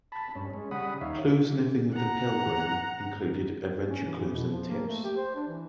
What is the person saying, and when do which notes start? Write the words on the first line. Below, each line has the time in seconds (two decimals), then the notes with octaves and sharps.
'Clue Sniffing With The Pilgrim' included adventure clues and tips.
0.12 A5 B5
0.35 G2 C#4
0.53 G#3 C#4
0.71 C#3 G3 F#5 B5 D#6
1.01 D#2 D#4 C#5 E5 F5
1.93 F#5 A#5
3.90 C#4
4.03 E3
4.18 E3
4.31 B2
4.50 F3
4.70 A#3
4.89 A3
5.04 G4
5.17 C5
5.35 D4
5.48 E3